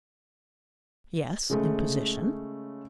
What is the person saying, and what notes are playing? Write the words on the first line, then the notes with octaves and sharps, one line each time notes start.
"Yes--in position."
C#3 G#3 A3